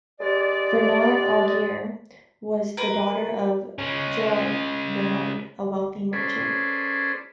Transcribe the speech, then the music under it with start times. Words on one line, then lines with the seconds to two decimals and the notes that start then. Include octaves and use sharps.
Bernard Aguirre was the daughter of Joab Bernard, a wealthy merchant.
0.19 D#2 G#3 G4 D5
2.77 A#4 B4
3.79 G#3 C#4
6.13 C#4 G#4 A4 B4 C5 D5